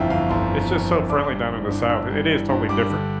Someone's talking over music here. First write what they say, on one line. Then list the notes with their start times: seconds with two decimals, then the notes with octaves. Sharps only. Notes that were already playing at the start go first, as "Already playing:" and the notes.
it's just so friendly down in the South, i it is totally different.
Already playing: G1 F2 E3 E5 F5 G5
0.10 G1 F5
0.29 G1 C6
0.51 E3
0.70 F2
0.90 G1
1.09 D4 D6
1.31 G3
1.50 E3
1.69 G2
1.89 D4 E6
2.10 G3
2.29 E3
2.49 G2
2.69 G3 D6
2.90 D3